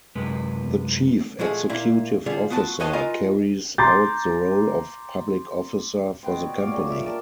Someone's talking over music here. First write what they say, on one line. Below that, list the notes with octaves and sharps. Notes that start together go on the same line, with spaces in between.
The Chief Executive Officer carries out the role of Public Officer for the Company.
F#2 C3 G#3 B4
A#2 F3 G#3 A3 G#4
A#2 A#3 E4
D3 G3 F4 G#4
B3 F4 F#4 A5
F#4 B4 C#5 D#5 F5 A5
D#4 F4 A#4 B4 D#5 G#5
A#5 C6 D6 G6 A6
B2 B3 G5 C6
C#5 D5
C#5 D5 F5
A#2 C#3 G3
D5 E5
A#4 A5